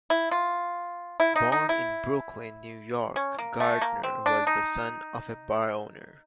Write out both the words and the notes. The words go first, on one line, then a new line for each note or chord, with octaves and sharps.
Born in Brooklyn, New York, Gardner was the son of a bar owner.
E4
F4
E4
D#4
D#4
E4
C#4
A#3
A3
A#3
C4
D4
D#4